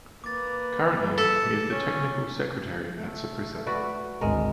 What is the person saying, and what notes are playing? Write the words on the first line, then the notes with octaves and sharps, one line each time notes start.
Currently, he is the technical secretary at Saprissa.
A#3 B4 D6 A6
A4 A6 B6 C#7
C#4
A3
F#4 B4 D5
G#1 D2 G#3 A#4